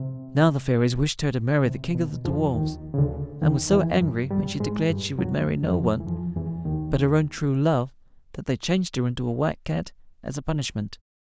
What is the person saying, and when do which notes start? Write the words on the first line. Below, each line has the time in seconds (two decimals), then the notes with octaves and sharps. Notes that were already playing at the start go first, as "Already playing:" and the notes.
Now, the fairies wished her to marry the King of the Dwarfs, and were so angry when she declared she would marry no one but her own true love, that they changed her into a White Cat as a punishment.
Already playing: C3
1.66 C3
1.95 B2
2.25 F2 F3
2.54 D#2 D#3
2.94 C#3
2.98 D2 D3
3.42 D#2 D#3
3.72 E2 E3
4.01 F#2 F#3
4.30 G2 G3
4.60 G#2 G#3
4.89 G2 G3
5.19 F#2 F#3
5.62 F2 F3
6.00 E3
6.06 F2 F3
6.36 E2 E3
6.65 D#2 D#3